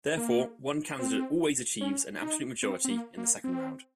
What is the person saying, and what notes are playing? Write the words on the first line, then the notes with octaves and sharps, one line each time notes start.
Therefore, one candidate always achieves an absolute majority in the second round.
A#3
C4
C#4
D#4
C4
C4
A#3
A#3
C4